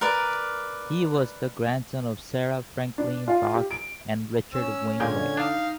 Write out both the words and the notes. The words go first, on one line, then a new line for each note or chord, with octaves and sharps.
He was the grandson of Sarah Franklin Bache and Richard Wainwright.
A#4 B4 D5
D4
F4
G4
D7
C#4 E6
A#2 D3 G#3 G5 G#6
D4 D#4 F5 D#6